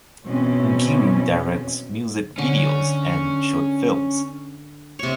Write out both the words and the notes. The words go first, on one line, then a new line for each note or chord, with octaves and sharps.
Nkiru directs music videos and short films.
B2 E3 C4 C#4
D3 C#4
C3 C#5